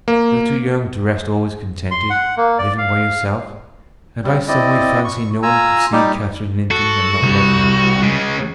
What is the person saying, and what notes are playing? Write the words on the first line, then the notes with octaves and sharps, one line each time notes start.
You're too young to rest always contented, living by yourself; and I some way fancy no one could see Catherine Linton and not love her.
A#3
C6
F#5
A#3
D5
F5
G3 C4
C4 E4 D5 D#5
C#6
F4 G#5 A#5 E6
G3 D#4 G4
F#4 A4
C2 G3
C#3 G#3